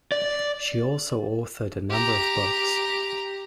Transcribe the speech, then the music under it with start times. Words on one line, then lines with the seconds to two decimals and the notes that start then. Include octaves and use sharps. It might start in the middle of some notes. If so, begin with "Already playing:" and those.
She also authored a number of books.
0.12 D5
1.90 G4 A#5